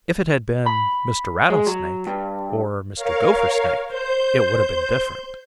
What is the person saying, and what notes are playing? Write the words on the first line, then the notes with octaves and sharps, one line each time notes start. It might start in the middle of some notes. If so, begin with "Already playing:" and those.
If it had been Mr. Rattlesnake or Mr. Gophersnake, it would have been different.
B5
G#3
F#3
G2
A#4 C#5 F5
C5 G6